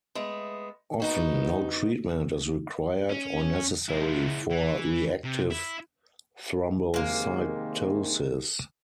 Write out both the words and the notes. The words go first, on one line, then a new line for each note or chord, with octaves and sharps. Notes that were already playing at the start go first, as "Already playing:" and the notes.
Often, no treatment is required or necessary for reactive thrombocytosis.
G#3 A3 B3
B3 D#4 F#4
C#4
G#3 E4
E3
C3
E4
C3 D#3 G#3 A#3